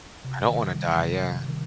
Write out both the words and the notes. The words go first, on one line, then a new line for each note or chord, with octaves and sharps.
I don't wanna die yeah.
C3
D#3
G3
C3
C3
D#3